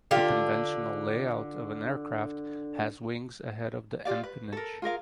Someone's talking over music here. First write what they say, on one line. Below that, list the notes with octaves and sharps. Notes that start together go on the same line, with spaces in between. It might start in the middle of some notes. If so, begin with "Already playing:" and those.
The conventional layout of an aircraft has wings ahead of the empennage.
D3 F4 G4
F4 G4 D5 F5
B4
A4 A#4
F4 G#4 A#4 F5